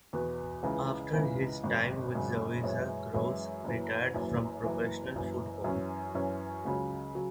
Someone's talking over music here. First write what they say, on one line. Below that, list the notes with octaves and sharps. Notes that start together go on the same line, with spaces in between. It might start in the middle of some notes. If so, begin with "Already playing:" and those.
After his time with Zawisza Gross retired from professional football.
E2 B2 B3 F#4
C#2 C#3 E3
C#2 C#3 E3
G#1 F#2 C#3
G#1 F#2 C#3
F#2 E3 G#3 E4 C#5
F#2 E3 G#3 E4 C#5
F#1 F#2 E3
F#1 F#2 E3
F#1 F#2 E3
F#1 F#2 E3
F#2 E3 C#4
F#2 E3 C#4
C#2 C#3 F#3
C#3 F#3